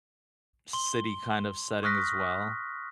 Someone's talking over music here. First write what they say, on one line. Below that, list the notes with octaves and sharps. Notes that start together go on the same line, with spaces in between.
city kind of setting as well,
C6 G7
C#6 D#6 F6 F#6 A#6 B6